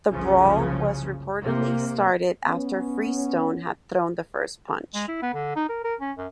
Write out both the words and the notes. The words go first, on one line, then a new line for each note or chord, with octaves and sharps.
The brawl was reportedly started after Freestone had thrown the first punch.
F#1 C2 C#3 F3 C#4
C3 A#3
B3 C#4
G#3
E4
B3
D3
D#4
A#4
A#4
C#4
F#2